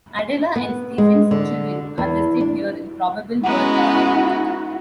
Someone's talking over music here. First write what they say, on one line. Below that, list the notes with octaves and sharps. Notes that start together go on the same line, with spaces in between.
Adela and Stephen's children are listed here in probable birth order.
B3
G#3
D3
E2
D4
G#3 B3 C#4 E4 F#4 F#5 A#5